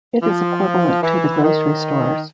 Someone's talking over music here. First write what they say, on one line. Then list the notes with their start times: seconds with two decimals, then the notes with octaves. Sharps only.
It is equivalent to the grocery stores.
0.22 F3
1.03 E3
1.43 D#3